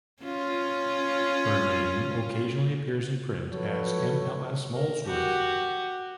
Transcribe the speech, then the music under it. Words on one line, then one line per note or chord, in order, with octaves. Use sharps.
Her name occasionally appears in print as M. L. S. Molesworth.
C#4 F4
F3 F#3 F#4 A4 B4 C#5
A#4
F#4 G4